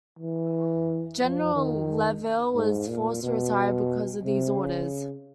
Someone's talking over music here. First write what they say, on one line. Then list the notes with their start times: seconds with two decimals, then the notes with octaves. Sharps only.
General Lavelle was forced to retire because of these orders.
0.19 E3
1.20 F3
1.55 D#3
2.55 G#2
2.88 A#2
3.23 B2
4.23 C3
4.56 C#3